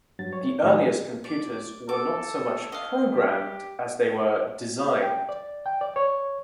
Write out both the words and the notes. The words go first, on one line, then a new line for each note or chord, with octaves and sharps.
The earliest computers were not so much "programmed" as they were "designed".
G2 F#3 A6
C#5
A2 D#3 A3 D#4 E4
D5
A4 D6
D#5 F5
G4
G5
D5
G5
D5
C#5